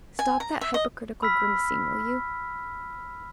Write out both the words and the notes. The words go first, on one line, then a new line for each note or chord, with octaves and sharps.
Stop that hypocritical grimacing, will you.
G#5
A#5
E5
D#5
B5 E6 F6 B6